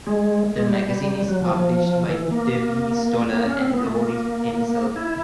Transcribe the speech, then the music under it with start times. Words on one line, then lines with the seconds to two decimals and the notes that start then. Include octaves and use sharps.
The magazine is published by Debbie Stoller and Laurie Henzel.
0.07 G#3
0.56 G#3
0.67 G3
1.28 F#3
1.42 F3
1.56 F3
2.09 E3
2.31 A#3
3.33 A#3
3.46 C#4
3.59 C4
3.73 B3
3.87 A3
4.01 A#3
4.96 E4